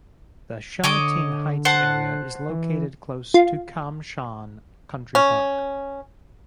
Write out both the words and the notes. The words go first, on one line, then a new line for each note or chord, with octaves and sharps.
The Sha Tin Heights area is located close to Kam Shan Country Park.
D3 C#5 D#5 D6
C5 F#5 A5
E3
F4
C#4